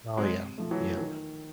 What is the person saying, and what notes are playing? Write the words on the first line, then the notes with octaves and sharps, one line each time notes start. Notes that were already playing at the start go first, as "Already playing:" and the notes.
Oh, yeah. Yeah.
C3 F#3 G#3
F3 A3
E3 F#3
D#3